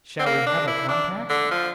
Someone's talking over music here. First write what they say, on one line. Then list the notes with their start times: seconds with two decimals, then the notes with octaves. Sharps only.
Shall we have a compact?
0.19 C4
0.26 A#3
0.47 D4
0.68 E4
0.89 D4
1.30 D3
1.51 F3